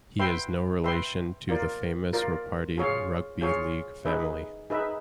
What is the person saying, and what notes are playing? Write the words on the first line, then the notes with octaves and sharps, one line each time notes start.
He is no relation to the famous Ropati rugby league family.
B4 E5 G5 C6
B4 E5 G5 C6
F4 A#4 D5
F4 A#4 D5
F4 G#4 C#5 F5
F4 G#4 C#5 F5
D#4 G#4 B4 E5
D#4 G#4 B4 E5